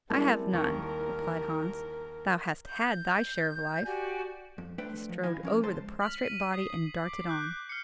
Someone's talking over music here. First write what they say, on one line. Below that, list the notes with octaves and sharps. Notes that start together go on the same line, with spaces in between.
"I have none," replied Hans; "thou hast had thy share of life." He strode over the prostrate body, and darted on.
G3 G#3 A#3 C4 E4 A5
D#2 A#4 C#6
G6
F#4 G4 D5 G#5
F2
A3 D4 B4 C5 G5
F3
D#3 E4 F4 D#5 F5 G#5
F3 C#4 A#4
C#2 G#3 C5 A5 C6
F6 B6 F#7
D#7
D#6 C7
D6
F#6 G6
F6 C7 C#7